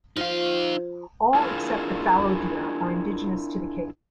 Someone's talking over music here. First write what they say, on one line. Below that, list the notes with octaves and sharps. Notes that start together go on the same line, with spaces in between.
All except the fallow deer are indigenous to the Cape.
F3 D#4 F5
D4 E4 F4 G#4 A#4 D5